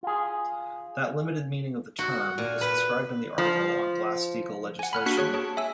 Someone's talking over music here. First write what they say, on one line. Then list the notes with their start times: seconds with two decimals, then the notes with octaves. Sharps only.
That limited meaning of the term is described in the article on Glass-Steagall Legislation.
0.03 F4 G#4
1.99 F#4
2.38 A#2
2.61 B4
3.38 F3
4.79 F#5 G#5
4.93 B5 F6 F#6
5.06 A#3 D4 F#4 F#6 B6 C#7
5.17 G#4 C#5 C#6
5.34 G#4 A5
5.57 E5 G#5 E6